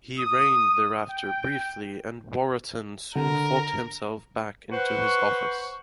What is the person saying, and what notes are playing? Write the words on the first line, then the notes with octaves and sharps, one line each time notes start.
He reigned thereafter briefly and Waratton soon fought himself back into his office.
D#6
G5
D3 A#4
B4 C5 F#5 C#6